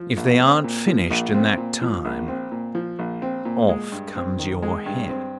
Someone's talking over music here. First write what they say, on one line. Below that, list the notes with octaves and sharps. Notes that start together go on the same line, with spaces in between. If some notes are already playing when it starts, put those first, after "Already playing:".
If they aren't finished in that time, off comes your head.'
Already playing: F3
A#1
C4
A#2
F3
A#1
C4
A#2
F3
A#1
C4
A#2
F3
A#1
C4
A#2
G#3
G2
C4
D#3
G#3
G2
C4